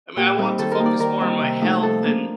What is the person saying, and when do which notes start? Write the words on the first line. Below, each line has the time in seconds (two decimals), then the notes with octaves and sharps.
I mean, I want to focus more on my health and
0.17 A#2 G4
0.38 G3 C4 D#4
0.58 D#3 A4
0.72 A#4
0.79 A#3 D#4
0.86 D5
0.99 D#3 A#4
1.21 G3 C4 D#4
1.41 C3
1.61 F3 A3 D#4
1.82 F3 A4
2.03 A#3 D4